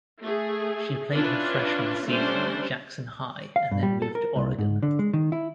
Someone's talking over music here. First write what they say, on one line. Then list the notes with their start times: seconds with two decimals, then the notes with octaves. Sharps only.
She played her freshman season at Jackson High and then moved to Oregon.
0.20 A3 G#4
1.14 C#4 D4 E4 F4 B4 C#5
2.06 G3 A3 C#4 D4 C5
3.56 F5
3.71 G2
3.83 G3
4.02 A4
4.15 A#4
4.36 C2
4.58 G#2
4.82 D3
4.99 G#3
5.13 D#3
5.32 E4